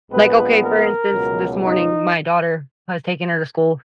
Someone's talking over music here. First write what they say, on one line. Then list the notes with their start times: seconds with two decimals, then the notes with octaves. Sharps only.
Like, OK, for instance, this morning, my daughter, I was taking her to school,
0.11 A#1 A#2 G#3 B3 B4
0.62 A#4
1.12 C#2 B2 F#3
1.63 D#4